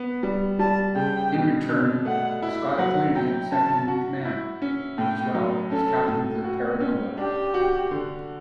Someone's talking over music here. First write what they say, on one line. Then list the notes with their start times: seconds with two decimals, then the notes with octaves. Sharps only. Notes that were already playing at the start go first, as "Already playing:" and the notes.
In return, Scott appointed him second-in-command, as well as Captain of the "Terra Nova".
Already playing: B3
0.23 G3
0.59 G3 A5
0.96 C#3 G5
1.33 B2
1.69 B2
2.05 A3 F#5
2.42 E4
2.78 F#3 F#5
3.15 F#3 G5
3.52 C#4 A5
3.88 F#4
4.25 E4
4.62 C#4
4.98 A2 G5
5.34 F#3
5.71 C#4 A4
6.08 A2
6.44 F#4
6.80 C#4
7.17 D4 G4
7.54 F#4
7.91 D3